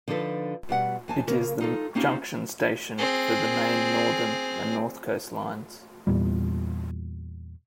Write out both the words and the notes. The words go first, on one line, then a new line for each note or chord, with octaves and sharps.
It is the junction station for the Main Northern and North Coast lines.
D3 F3 D#4 A4 B4
B2 G3 F#5
F2 G#5 A5
C#3 A#3 A#4
D#4 F4 A4
A#3 C4 C#4 D#4 F4 G4
C4 G#4
E2 A#2 G3